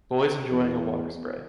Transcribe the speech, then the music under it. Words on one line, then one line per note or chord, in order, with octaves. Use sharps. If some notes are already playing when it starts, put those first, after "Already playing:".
Boys enjoying a water spray.
E2